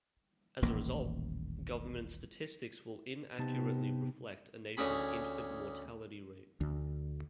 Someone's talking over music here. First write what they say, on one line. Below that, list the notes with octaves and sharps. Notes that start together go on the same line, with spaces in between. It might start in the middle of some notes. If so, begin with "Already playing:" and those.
As a result, government statistics will inaccurately reflect a nation's infant mortality rate.
D#1 A1 D#2 A#3
C3 B3 D#4 G4 A5
D2 C#4 G#4 B5
D2